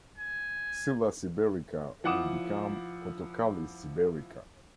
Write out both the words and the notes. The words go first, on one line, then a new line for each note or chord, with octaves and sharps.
"Scilla siberica" would become "Othocallis siberica".
G#5
F3 E4 F#5 D6 D#6 E7